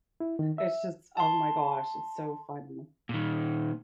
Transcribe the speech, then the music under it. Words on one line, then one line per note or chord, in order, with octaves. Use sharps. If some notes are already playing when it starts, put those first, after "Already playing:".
it's just oh my gosh, it's so funny.
E4
D#3
E5
A5 C6
A#2 D#3